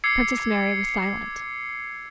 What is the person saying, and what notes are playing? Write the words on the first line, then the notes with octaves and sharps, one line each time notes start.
Princess Mary was silent.
D6 E6 G#6 C7 C#7